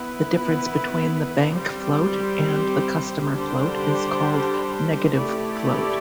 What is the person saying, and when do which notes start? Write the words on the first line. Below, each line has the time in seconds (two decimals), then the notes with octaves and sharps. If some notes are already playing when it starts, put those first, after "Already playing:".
The difference between the bank float and the customer float is called 'negative float'.
Already playing: B3 E4 B4
1.55 G3 C4 G4 C5
3.34 D3 G3 D4 G4 C5
5.15 A3 E4 G4 D5